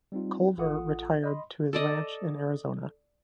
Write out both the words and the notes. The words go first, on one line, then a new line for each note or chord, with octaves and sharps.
Collver retired to his ranch in Arizona.
G3 C4 D#4 F4
A1 F4 A4 F#5 D#6
D#5 B5 C6
A4 D5 D#5